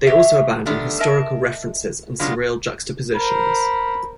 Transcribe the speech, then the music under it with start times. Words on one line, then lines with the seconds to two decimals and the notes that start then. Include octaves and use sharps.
They also abound in historical references and surreal juxtapositions.
0.07 F#3 G4 E5
0.66 D3 D#3 G3 A3 B3 D4
1.00 A#4 D#5 E5 A5
2.19 C#3 F#3 G#3 B3 D4 F4
3.16 A#4 C5 B5